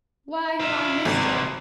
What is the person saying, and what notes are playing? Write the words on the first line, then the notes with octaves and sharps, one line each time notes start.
Why have I missed it?
F4 E5
G#1 G2 C3